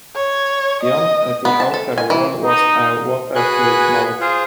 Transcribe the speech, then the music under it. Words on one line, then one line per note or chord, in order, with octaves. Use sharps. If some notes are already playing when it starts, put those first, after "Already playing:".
Beyond the outer wall was a water-filled moat.
C#5
D#5
B3
A5
A4
G#5
E3
D#4
F#4 G#4 B4 G#5 F#6
F4 G#4 C5